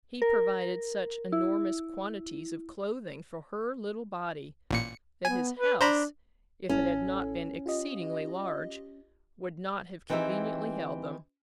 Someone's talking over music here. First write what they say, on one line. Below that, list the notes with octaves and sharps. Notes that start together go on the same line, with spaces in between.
He provided such enormous quantities of clothing for her little body, that his house, if it had not been exceedingly large, would not have conveniently held them.
A#4
E4
A1 A#2 C#7
B3 G#5
B4
D4 C5 A#5 B5
A1 C#4 E4 A4
F4 G4 D#5
E3 C4 D#4 G4 G#4 E5